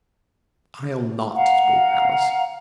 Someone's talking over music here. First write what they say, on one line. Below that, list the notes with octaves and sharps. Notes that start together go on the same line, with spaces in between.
"I'll not," spoke Alice.
F5 F#5 A#5